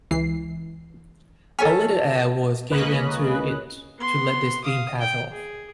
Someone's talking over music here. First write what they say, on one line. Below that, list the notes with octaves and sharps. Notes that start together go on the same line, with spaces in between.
A little air was given to it to let the steam pass off.
C#2 E3 C7
A4 C#5 G#5 C#6 F6 B6
C#2 A#3 C#4 B4 D#5 F#6
B3 C6
F5 D#6
G5
G#4